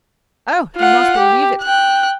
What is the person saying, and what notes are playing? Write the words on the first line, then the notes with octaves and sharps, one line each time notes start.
Oh! do not believe it!
F4 F#5
G4
G5 F#6